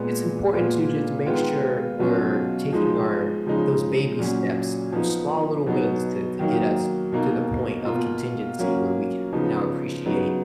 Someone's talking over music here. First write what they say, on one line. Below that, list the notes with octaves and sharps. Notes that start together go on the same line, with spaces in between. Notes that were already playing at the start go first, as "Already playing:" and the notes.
it's important to just make sure we're taking our those baby steps, those small little wins to to get us to the point of contingency where we can now appreciate,
Already playing: A#2 G#3 B3
A#2 G#3 B3 F4
D#3 G#3 B3 F4
B2 F#3 C#4 F4
F3 G#3 D#4
C#3 F3 G#3 D#4
A#2 F#3 C#4
F3 B3 D#4
B2 F#3 B3 D#4
D#3 F#3 A#3 D#4
B2 A#3 D#4
B2 A#3 F4
F#3 A#3 C#4
C#3 F3 B3 D#4
C#3 F#3 B3 D#4